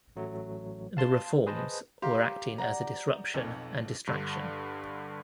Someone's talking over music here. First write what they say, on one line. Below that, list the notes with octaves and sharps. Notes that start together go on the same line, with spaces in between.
The reforms were acting as a "disruption and distraction".
A1 F#3 A3
F5 A5 C6
G#4 B4 C5 D#5 A5
G4 F5 A#5 C6
D5 F#5 A#5
B1 F2
G2 D3